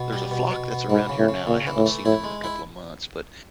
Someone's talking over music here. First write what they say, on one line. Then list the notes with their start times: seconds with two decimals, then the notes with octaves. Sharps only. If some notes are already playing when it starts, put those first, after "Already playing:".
there's a flock that's around here now, I haven't seen them in a couple of months, but
Already playing: B2
0.13 G3
0.31 B2
0.51 B2
0.71 B2
0.89 G#2 E3
1.09 C#3
1.19 A2
1.28 C#3
1.47 A#2 C#3
1.67 E3
1.77 A2
1.86 A3
2.05 A2 E4
2.24 G#3
2.44 E4